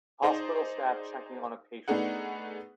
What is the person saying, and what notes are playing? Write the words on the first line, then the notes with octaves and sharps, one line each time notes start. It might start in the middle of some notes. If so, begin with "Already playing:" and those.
Hospital staff checking on a patient.
D#4 G#4 C5 D5 D#5
A3 B3 D4 D#4 G#4 F#5